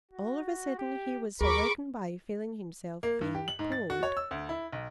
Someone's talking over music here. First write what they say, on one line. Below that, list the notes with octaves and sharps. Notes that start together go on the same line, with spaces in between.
All of a sudden he was awakened by feeling himself being pulled.
F#4
G4
D#2 G#4 A#4 B5 C#6 D6
A#3
G2
G4
F#7
G#2
A6
F#4
C#5
E6
D2
E4
B1